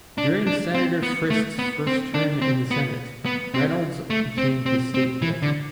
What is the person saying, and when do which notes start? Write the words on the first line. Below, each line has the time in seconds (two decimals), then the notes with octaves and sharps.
During Senator Frist's first term in the Senate, Reynolds became his state director.
0.18 D4
0.47 D4
0.75 C4
1.03 B3
1.30 A3
1.59 B3
1.87 C4
2.14 D4
2.42 C4
2.71 B3
3.26 B3
3.54 C4
4.10 A3
4.38 C4
4.66 C4
4.94 C4
5.22 E3
5.43 D3